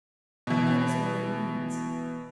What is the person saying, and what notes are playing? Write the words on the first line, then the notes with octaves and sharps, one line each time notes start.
That is what it means.
B2 E3